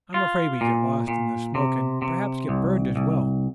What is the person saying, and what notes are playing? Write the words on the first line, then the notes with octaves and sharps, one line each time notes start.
I'm afraid we'd get lost in the smoke and perhaps get burned as well.
F4
A#2
A#2
C3
C3
C2
C2